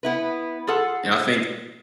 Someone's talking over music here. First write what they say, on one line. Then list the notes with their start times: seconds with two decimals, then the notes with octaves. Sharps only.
and I think,
0.03 B3 E4 B4
0.67 F4 G#4 A4 F#5